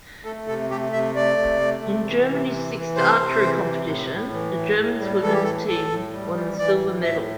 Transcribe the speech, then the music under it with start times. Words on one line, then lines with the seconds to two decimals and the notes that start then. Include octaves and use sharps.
In Germany's sixth archery competition, the German women's team won the silver medal.
0.25 A3 A4
0.47 C3 A4
0.70 A3 G4
0.92 C3 E5
1.15 A3 D5
1.38 C3
1.61 A3
1.83 C3
2.06 E3
2.29 C3
2.51 E3
2.74 E3
2.96 C3 C5
3.19 C3
3.41 E3
3.64 C3
3.86 A2
4.09 A2
4.32 E3
4.54 A2
4.77 A2
5.00 G3
5.22 E3 A4
5.33 G4
5.43 A2 A4
5.67 A2 A4
5.90 A2
6.13 G3
6.35 E3
6.58 E3 D5
6.80 A2
7.03 A2 E5